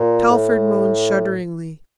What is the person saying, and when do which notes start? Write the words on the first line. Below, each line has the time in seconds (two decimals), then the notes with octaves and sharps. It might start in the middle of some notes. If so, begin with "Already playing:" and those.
Telford moaned shudderingly.
Already playing: A#2
0.30 A2